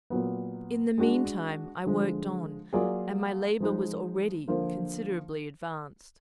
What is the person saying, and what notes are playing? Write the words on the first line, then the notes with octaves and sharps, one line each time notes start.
In the mean time I worked on, and my labour was already considerably advanced.
A#2 F#3 B3
G#3 D4 F#4
D3 F3 G#3
F#3 A#3 F4 G#4 D5
F3 G#3 D#4
D3 F3 A#3 F4